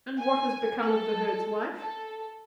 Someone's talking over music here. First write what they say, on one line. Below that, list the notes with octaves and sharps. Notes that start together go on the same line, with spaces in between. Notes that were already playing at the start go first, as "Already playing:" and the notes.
"And what has become of the herd's wife?"
G#5
A4
A4